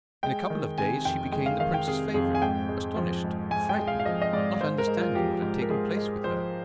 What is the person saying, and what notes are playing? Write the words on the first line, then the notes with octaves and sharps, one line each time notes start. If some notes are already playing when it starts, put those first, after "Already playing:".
In a couple of days she became the prince's favorite, astonished, frightened, not understanding what had taken place with her.
G#3 G5
D#3
C3 G#5
F2 G5
G#3 G5
F5
D#3 F5
G5
C3 G#4
F2 G#4
G#5
G#2 G5
G#3
F3
G#2
G#2 G#5
G5
G#3
F5
F5
F3 D#5
D#5
G#2 D5
G#2 C5
A#4
G#3
F4
F3 G4
G#2
A#4
G#2 G#4
G#3
F3 C5